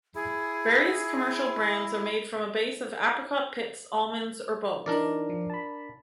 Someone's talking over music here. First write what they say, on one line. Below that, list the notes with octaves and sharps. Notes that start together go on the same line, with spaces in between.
Various commercial brands are made from a base of apricot pits, almonds, or both.
E4 G#4
E3 D4 D#4 A#4 D5
F3
A5 B5